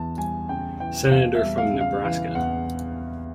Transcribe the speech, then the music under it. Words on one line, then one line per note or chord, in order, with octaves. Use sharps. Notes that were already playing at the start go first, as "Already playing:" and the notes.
Senator from Nebraska.
Already playing: E2 E3 A5
G3 G#5
C#3 G5
E3 G5
E2 F5
E5
G3
F5
C#3
F5
E3 F5
E2 F#5